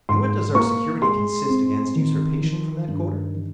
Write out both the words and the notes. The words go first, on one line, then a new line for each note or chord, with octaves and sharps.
In what does our security consist against usurpation from that quarter?
G#2 C6
A#3 C#6
G#3 C6
C4
D#3
D#3
G2
D#3